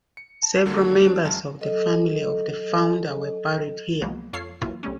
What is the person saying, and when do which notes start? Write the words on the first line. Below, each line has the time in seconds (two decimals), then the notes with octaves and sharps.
Several members of the family of the founder were buried here.
0.17 C#7
0.43 A5
0.65 F#2 D3 D#3 F#3 A3 A#3
1.02 C4 D4
1.25 F#2 F#3 G#3 A5 F6
1.61 F#3 A4 D#5
4.01 C2 F3 F#3 G#3 A#3 B3
4.33 F2 F4 A4 C#5 F5 C7
4.61 E3 F#3 A#3 E4 F4
4.83 B1 C3 G3 A3 C#4